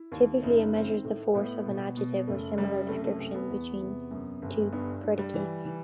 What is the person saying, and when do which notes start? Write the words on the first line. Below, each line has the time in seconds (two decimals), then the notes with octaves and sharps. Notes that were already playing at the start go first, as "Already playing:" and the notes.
Typically, it measures the force of an adjective or similar description between two predicates.
Already playing: E4
0.12 D#2
0.43 F#1 D#4
0.74 D#3 C4
1.04 A2 A3
1.34 A2 B3
1.66 B2
1.97 B2
2.27 F#1 A3
2.58 F#2 G3
2.88 C2 A3
3.04 A3
3.19 C2 A3
3.35 B3
3.50 E2
3.80 C3
4.11 F#2
4.42 G1
4.72 G2 B3
5.03 G2
5.19 G3
5.33 E3
5.65 E3